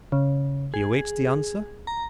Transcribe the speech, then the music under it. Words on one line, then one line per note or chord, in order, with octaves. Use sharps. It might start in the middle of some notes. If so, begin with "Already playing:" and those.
"He awaits the answer?"
C#3
G#4
A#5